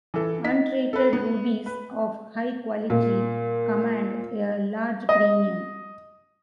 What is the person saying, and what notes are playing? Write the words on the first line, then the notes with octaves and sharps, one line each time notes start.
Untreated rubies of high quality command a large premium.
E3 A4
D#4 B6
A4 B4
B3
B4
A#2
D#5